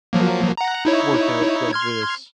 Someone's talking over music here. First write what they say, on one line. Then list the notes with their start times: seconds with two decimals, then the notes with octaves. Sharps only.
work out like this,
0.13 F3 F#3 A#3
0.57 F#5 A#5
0.85 D#4 E4 C#5
1.73 C6 F6 G#6